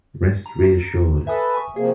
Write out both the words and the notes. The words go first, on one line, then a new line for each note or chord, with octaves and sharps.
Rest reassured.
A#5
A4 B4 E5 G#5 D#6
G#5 C#6
C3 F3 A#3 G#4